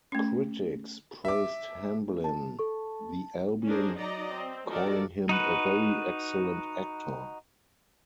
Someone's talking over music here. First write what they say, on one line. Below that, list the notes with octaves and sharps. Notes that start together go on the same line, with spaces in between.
Critics praised Hamblin; the "Albion" calling him "a very excellent actor".
A3 C#4
E5 D6
A5
A4 C#6
C#4 D4 G#4 A#4 C5
F#3 D#4 D5 D#5 A#5
C4
D#3 F3 F#4 A4 A#4 D5
D#4 F#4 B4